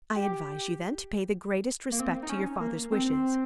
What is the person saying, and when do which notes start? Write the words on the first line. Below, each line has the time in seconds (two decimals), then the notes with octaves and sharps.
"I advise you then to pay the greatest respect to your father's wishes."
0.16 G4
1.92 A#3
2.00 C4
2.22 D#4
2.30 C#4
2.60 A#3
2.92 C4